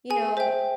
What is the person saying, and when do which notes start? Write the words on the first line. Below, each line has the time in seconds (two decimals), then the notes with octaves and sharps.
you know,
0.10 G#4 G#5
0.37 C5 E5 G5